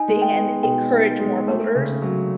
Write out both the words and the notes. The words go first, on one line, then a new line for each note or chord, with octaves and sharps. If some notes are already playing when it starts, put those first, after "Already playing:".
thing and encourage more voters
Already playing: D#4 G#5
G#3
G5
B3
B2 G5
D#4
G#3
A3
C#3
F#3